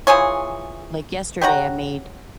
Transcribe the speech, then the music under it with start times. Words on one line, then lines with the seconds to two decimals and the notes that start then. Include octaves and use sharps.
like, yesterday, I made,
0.07 E3 F3 G#4 C#5
1.41 G4 C#5 F#5 A#5